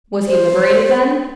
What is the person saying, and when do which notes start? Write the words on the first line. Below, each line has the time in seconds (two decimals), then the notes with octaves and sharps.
"Was he liberated, then?"
0.28 C5